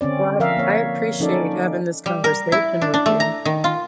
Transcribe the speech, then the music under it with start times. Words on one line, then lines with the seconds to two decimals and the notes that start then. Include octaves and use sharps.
Well, I I appreciate having this conversation with you.
0.01 D3 C4 C#4 D5
0.40 F3 A#4 E5 F5
0.57 A#3 C#5
1.20 F3 C#4 D#4 A4 D5
2.06 G3
2.24 A#4
2.52 E4
2.82 D4
2.94 D4
3.06 A3
3.20 A#5
3.45 D#3
3.64 F4